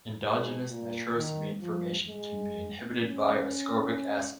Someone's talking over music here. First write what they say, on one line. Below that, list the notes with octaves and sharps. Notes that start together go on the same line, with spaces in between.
Endogenous nitrosamine formation can be inhibited by ascorbic acid.
G#2
A#2
D#3
F3
G#3
C#4